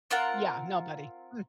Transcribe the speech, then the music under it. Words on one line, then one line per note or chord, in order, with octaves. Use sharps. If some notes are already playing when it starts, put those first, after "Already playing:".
Yeah, nobody. Mm.
C4 F4 A#4 F#5